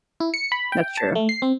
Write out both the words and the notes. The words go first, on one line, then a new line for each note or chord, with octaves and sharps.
That's true.
E4
C#7
B5
G5
A5
A3
C7
C4